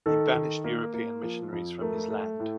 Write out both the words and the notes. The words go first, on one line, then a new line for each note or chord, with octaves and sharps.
He banished European missionaries from his land.
D#3 A4
D#3
A#3
A#3
F3
F2
A3 A#4
A3
A2